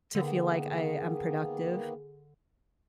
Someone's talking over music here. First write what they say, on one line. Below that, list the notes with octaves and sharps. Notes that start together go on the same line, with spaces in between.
to feel like I am productive,
D3 D#3 A#3 B3 G#4